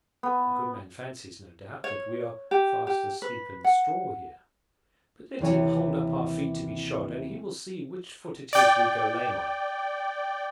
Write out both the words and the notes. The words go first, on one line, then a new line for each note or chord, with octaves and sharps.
The good man fancies, no doubt, that we are fast asleep in the straw here, but let him hold up our feet to be shod and he will see which foot it is we go lame on.
B3
C#5
G4
G4
B4
F#5
D#2 C3 E3 C#5
D5 G5